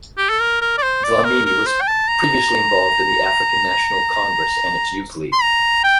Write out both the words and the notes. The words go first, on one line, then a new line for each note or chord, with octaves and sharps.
Dlamini was previously involved in the African National Congress and its youth league.
G4
A4
A#4
A#4
D5
C5
D5
A#4
A#4
C5
G5
A5
A#5
C6
A#5
G5